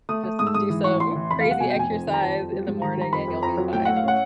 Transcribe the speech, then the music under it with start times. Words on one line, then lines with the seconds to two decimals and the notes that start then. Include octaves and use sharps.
Just do some crazy exercise in the morning, and you'll be fine.
0.09 A3 D#6
0.23 A3
0.39 G#2 D#6
0.47 E6
0.54 G#2 D#6
0.69 E3
0.84 A1 C#6
1.00 A1 C6
1.15 E3
1.31 F1 B5
1.41 G3 F5
1.51 F#5
1.60 B2 G#5
1.70 G5
1.75 F1 G#5
1.90 F2
2.06 D#3
2.14 A#5
2.21 F2 A5
2.37 F2
2.52 G3
2.67 G#2
2.82 D#3 A#5
2.97 G3 A#5
3.13 F2 B5
3.28 F2
3.42 F2 A#5
3.58 F#3
3.73 A2 G5
3.85 A2 F#5
3.96 F5
4.04 C#4 F#5